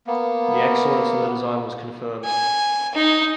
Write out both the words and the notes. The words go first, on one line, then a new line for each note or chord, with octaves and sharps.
The excellence in the design was confirmed.
A#3 B3
G#5
D#4